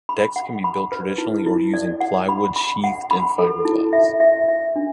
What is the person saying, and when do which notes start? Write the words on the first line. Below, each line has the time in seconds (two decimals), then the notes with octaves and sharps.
Decks can be built traditionally or using plywood sheathed in fibreglass.
0.09 B5
0.36 F#5
0.64 B5
0.92 B4
1.18 E4
1.46 E4
1.74 D5
2.01 F#5
2.29 B5
2.56 B5
2.84 F#5
3.11 B5
3.39 A4
3.65 E4
3.93 E5
4.20 E5
4.49 E5
4.76 D4